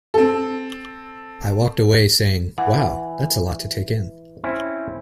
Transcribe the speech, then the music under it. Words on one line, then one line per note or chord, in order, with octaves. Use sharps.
I walked away saying, 'Wow, that's a lot to take in.
C4 A4
E3 F#5
C4 C#4 E4